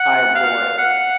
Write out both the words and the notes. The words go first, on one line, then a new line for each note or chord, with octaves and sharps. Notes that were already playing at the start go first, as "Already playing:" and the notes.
I adore it,
Already playing: F#5
F5
F#5